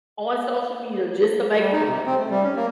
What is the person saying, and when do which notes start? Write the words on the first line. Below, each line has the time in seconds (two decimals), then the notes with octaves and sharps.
on social media just to make money.
1.59 G3
1.72 D#4
1.88 C3
2.06 C4
2.18 A3
2.30 G3
2.43 C#4
2.56 A#3